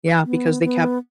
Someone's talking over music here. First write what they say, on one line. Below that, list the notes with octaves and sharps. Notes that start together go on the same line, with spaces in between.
Yeah, because they kept
B3
B3